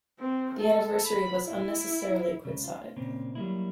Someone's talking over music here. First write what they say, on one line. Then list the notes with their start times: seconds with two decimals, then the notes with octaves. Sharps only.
The anniversary was unnecessarily quixotic.
0.20 C4
0.60 A4
1.06 B5
1.46 E4
2.45 C#2 C#3
2.64 F4
2.96 A#2 C#3 C4
3.35 F#3 G3 A#3 E4